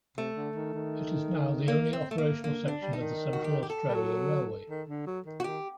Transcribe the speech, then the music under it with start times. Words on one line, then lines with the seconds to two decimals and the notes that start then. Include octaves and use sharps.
It is now the only operational section of the Central Australia Railway.
0.17 C3 A3
0.36 D3
0.55 D#3
0.73 D#3
1.68 A#3
1.93 C4
2.11 A3
2.18 A#3
2.44 D3 A#3
2.63 D3
2.68 D4
2.82 G3
2.93 D#4
3.00 D#3
3.33 F#4
3.44 G4
3.63 G4
3.70 A4
3.88 G3
3.94 F#3
4.70 D#3
4.89 D3
5.07 F#3
5.26 D#3
5.40 F#4
5.44 D#3 G4